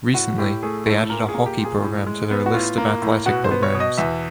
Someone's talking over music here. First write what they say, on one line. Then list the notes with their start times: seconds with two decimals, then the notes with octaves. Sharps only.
Recently, they added a hockey program to their list of athletic programs.
0.14 A2 F#4
0.38 A2 G4
0.63 A3 G#4
0.86 A2 A4
1.10 A#2 A#4
1.29 G#4
1.34 A#3
1.46 G4
1.58 A#2
1.65 G#4
1.82 A2
2.07 G#3
2.31 B3
2.46 F#4
2.54 A2 F4
2.78 A#3
3.02 A2
3.26 B2 F#4
3.44 C5
3.51 B3
3.63 C#5
3.75 B2
3.80 D#5
3.98 E2 E5